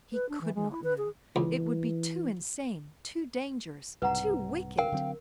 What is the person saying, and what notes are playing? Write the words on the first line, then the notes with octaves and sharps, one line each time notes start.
He could not know; it would be too insane, too dangerous, too wicked.
B4
D4
E3
G#3
E4
B4
G#4
C#2 E3
C2 G#2 C#3 B4 F#5 A#5
A#4 F5 G5
D3 F#3 C4